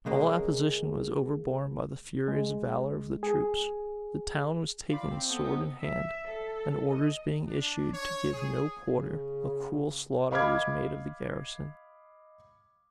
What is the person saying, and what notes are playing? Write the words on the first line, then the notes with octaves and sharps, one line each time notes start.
All opposition was overborne by the furious valor of the troops. The town was taken sword in hand; and orders being issued to give no quarter, a cruel slaughter was made of the garrison.
C#3 G#3 A#3
G#3
G#4
F4 D5 F5 B5
C4
B3 A4
B3 D#4
E5
A4
D#5
D4
C#5
G#4
C#3
D#5 F5 B5 D6 F6 G#6